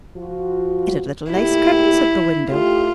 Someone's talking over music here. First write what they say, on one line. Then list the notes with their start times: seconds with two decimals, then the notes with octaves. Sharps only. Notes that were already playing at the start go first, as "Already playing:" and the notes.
It had little lace curtains at the window.
0.16 F3 F4 F#4
1.32 A#2 A3 E4 G4
2.50 A3 E4 F4 G4